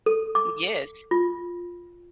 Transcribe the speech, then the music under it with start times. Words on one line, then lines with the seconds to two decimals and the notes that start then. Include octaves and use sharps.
Mm, yes,
0.06 A4
0.35 D6
1.11 F4